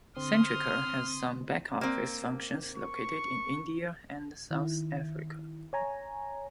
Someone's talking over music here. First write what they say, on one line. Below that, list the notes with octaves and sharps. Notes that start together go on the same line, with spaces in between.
Centrica has some back office functions located in India and South Africa.
D3 C4 C6 D#6 F6
A#3 C4
C#6
D#3 E4
C#5 G#5 A#5